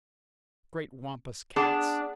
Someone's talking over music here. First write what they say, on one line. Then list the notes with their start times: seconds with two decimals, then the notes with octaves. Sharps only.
Great Wampus Cats!
1.56 B3 D4 G#4 A5